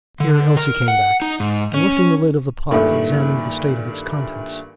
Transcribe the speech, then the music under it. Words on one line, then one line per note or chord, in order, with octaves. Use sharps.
Here Elsie came back, and lifting the lid of the pot, examined the state of its contents.
D3
A#4
F#5
D#4
G#2
C#4
G2 A#2 D#3 A3